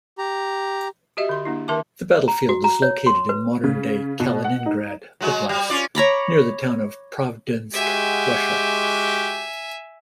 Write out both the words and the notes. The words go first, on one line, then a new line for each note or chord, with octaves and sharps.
The battlefield is located in modern-day Kaliningrad Oblast, near the town of Pravdinsk, Russia.
G4 A#5
F#4 G4 D#5 E5
D3 C6
A#3 D4 E4
D#3 A#4 E5 A5 D6
A#5
F#4
A#5
C#5
C6
B4
C#3
B2
F#5
D#4
F#3 G#3 F#4
G3
C#4 F4 D5
C#5 A#5 B5 D6
G#3 F#4 G4 E5 G#5